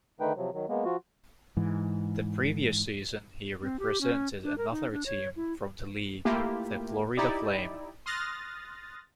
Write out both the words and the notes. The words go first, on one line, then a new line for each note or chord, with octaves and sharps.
The previous season, he represented another team from the league, the Florida Flame.
D3 D#3 A3 D#4 B4 G5
C3 F3 F#3
D#3 F#3
G#3 A#3 B3
F3 F4 F#4
G#2 E3
C4
G4
C#4
D4
A#4
D#4
D4
C#5
E4
A3 A#3 E4 F4 G4
D#4 E4 G4 D5
C6 D#6 F6 F#6 A6 A#6